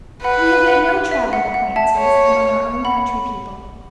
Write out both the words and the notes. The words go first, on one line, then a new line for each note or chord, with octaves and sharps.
We have made no traveling acquaintances among our own country people.
B4 F#5 B5
F#5
E5
F#5
F#5
E5 A5
C#5
F#5 B5